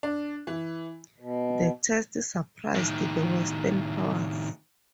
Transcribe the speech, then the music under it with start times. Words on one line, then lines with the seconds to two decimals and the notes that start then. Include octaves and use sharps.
The test surprised the Western powers.
0.03 D4
0.47 E3
1.20 B2
2.75 A2 D#3